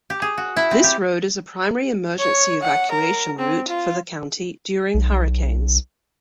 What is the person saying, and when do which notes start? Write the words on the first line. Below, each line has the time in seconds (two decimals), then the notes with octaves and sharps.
This road is a primary emergency evacuation route for the county during hurricanes.
0.10 G4
0.22 G#4
0.38 F#4
0.57 E4
0.71 C4
0.84 G4
2.19 C#5
2.63 F#5
2.91 A#4
3.39 C4
3.68 F4
4.94 B1